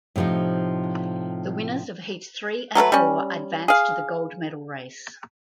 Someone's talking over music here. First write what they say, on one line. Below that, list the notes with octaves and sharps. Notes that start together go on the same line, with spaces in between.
The winners of heats three and four advanced to the gold medal race.
A2 C3 E3 F3 D#4
F#3 A3 A4 B4
G3 C#4
G#4 F5